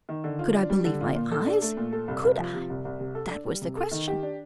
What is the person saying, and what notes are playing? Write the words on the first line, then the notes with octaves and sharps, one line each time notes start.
Could I believe my eyes?--could I?--that was the question.
D#3
D3
F4
D4
G3
D3
F4
A#2
A4
D4
A3
A#2
A4
C2
C2
F3
C3
C2
C2
C3
A4
D4
G3
C3
A4
D#3
G4
D4